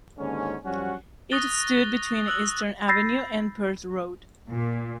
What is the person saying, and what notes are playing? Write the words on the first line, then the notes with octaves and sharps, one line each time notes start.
It stood between Eastern Avenue and Perth Road.
D#2 G#2 D3 C#4
F#2 F3 G3 C#4 F#4 F#5
C#6 D#6 F#6 A6 A#6 G7
E6 F#6 F#7
B5 E6 G6 A6 A#6 C7
A#2